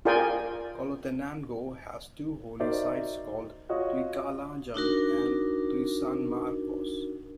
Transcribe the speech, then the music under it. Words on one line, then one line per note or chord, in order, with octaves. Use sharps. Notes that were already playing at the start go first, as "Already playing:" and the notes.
Colotenango has two holy sites called Tuikalajan and Tuisanmarcos.
F4 G#4 A#4 D5 G5 G#5
D#4 F#4 A#4 C5 D5 E5
F4 F#4 C#5 D#5 D#6
D4 D#4 F#4 A#4